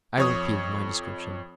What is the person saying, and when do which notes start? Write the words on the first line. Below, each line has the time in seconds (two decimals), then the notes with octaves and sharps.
I repeated my description.
0.18 F2 C#5 D#6